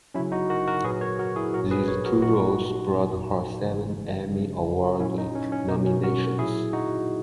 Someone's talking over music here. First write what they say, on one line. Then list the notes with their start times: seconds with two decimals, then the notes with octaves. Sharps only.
These two roles brought her seven Emmy Award nominations.
0.14 F#3 C#4 E4
0.19 C#3
0.32 D#4 F#4
0.49 F#4 A#4
0.68 F#4 A#4
0.84 A#2 F#3 G#4 B4
1.01 A#4 C#5
1.19 F#4 A#4
1.36 E4 G#4
1.53 F#3 F#4 A#4
1.57 A#2
1.71 G#4 B4
1.88 A#4 C#5
2.05 F#4 A#4
2.22 A#2 F#3 D#4 F#4
2.92 A#2 F#3
3.62 C#3 E3
4.31 C#3 F#3
5.00 A#2 F#3 C#4 E4
5.18 D#4
5.35 C#4
5.52 C#4
5.69 B2 F#3 D#4
5.86 C#4
6.03 F#4 A#4
6.38 A#2 F#3 E4 G#4
6.73 D#4 F#4